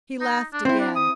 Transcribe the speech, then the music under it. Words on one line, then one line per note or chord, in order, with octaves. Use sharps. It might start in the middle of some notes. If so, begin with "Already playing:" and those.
He laughed again.
D#4
D4
C4 E4 C5
D4
D#6